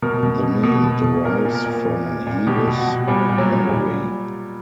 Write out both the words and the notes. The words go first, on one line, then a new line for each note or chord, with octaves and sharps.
The name derives from Heves, Hungary.
B2 A#4
B2
B2
B2
B2
B2
A#2 A#4
A#2
A#4
A#2
A#2
A#2
A#2
B2 G4
B2
F#4
B2
A#2 G3
A#2
F#3
A#2
A#2 G3